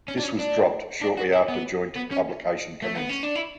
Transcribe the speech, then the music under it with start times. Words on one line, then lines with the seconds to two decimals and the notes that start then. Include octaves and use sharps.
This was dropped shortly after joint publication commenced.
0.08 C#4
0.18 D4
0.23 C#4
0.39 D4
1.02 D4
1.17 F#4
1.33 E4
1.48 B3
1.96 B3
2.11 C#4
2.82 A3
2.95 B3
3.09 C#4
3.23 D4
3.35 E4